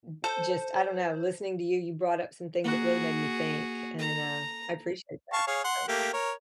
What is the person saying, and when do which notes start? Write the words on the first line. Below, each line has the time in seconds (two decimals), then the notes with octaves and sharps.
u just, I don't know, listening to you, you brought up some things that really made me think, and, uh, I appreciate that, so,
0.24 A4 C5
2.64 A#3 F#4 G#4 F#6
3.99 A4 A#5
5.33 F5 A5 C#6
5.47 G#4 C#5 F5
5.64 F#5 C6
5.88 A3 A#3 G4
6.13 A#4 C#5